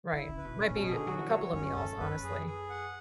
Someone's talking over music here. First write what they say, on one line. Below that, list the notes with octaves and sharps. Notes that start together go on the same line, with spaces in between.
Right, might be a couple of meals, honestly.
D3 E4
C#3
B4
B2
A2 C#4
A2
B2
G#4
D3
F#3 F#4
E3
F#3 C#5
E3
F#2 C#4
F#2 A4
F#2 B4
G#4
G#4
F#5